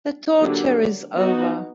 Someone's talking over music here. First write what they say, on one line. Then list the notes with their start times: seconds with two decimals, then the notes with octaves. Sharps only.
The torture is over.
0.40 D3 F#3 A#3 D4 G4
1.15 B3 D#4 F#4